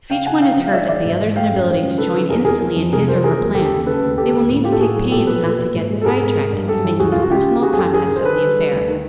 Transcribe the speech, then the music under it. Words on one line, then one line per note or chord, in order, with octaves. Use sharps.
If each one is hurt at the other's inability to join instantly in his, or her, plans, they will need to take pains not to get sidetracked into making a personal contest of the affair.
C#3 F5 G5
C#3 F#5 G#5
C#3 F5 G5
F3
F5
G#3 D5 E5
D#3 D5 E5
G#2
G#2
G#3 F5 G5
F#2
F3
C#3
D#3 A4 B4
D#3
E2 G#4 A#4
E2 G#4 A#4
F3
F2
C3 G#4 A#4
F3 A#4 C5
F#3 G#4 A#4
D#2 A#4
D#2 G4 A4
D#2
C#3 A4 B4
D2
D2 G4 A4
D2
A2
A#3 F4 G4
A4
A2 F#4 G#4
F#3
A#2 G4 A4
A#3 A4 B4
A#2
A#2
G#2
G#3
A4
G#2 G#4 A#4
G#2
G#3
G2
G2 G4 A4
E3
C#2 F#4 G#4
C#2 F4
F#4
C#3 F4 G4
C#3
A3 F#4 G#4
G#4
F#2 G4 A4
F#2 G#4 A#4
D#3
C5
D3 A4 B4
G3
G3
D2
D#3